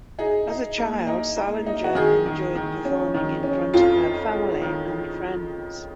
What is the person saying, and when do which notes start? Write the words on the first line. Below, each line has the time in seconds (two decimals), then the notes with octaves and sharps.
As a child, Salenger enjoyed performing in front of her family and friends.
0.19 D#4 G#4
0.48 D#4
0.78 A#3
1.07 D#4
1.36 A#3
1.66 D#4
1.84 F#4
1.95 D#3 G#4
2.26 D#3
2.55 D#3
2.85 C#4
3.14 D#3
3.43 C#4
3.73 F2 F4
4.03 D#4
4.33 G#3
4.62 D#3